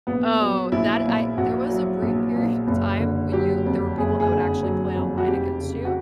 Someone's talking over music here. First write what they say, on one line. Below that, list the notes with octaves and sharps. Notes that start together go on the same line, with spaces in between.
Oh, that I there was a brief period of time when you there were people that would actually play online against you,
A#1 B3
F#3
A#1 E4
A#2
A#1 F#4
F#3
A#1
A#2
F#1
D3
F#3 G4
F2
F#1 G#4
G#4
D3
F#3
F2
F#4
F1 G4
C#3
F#4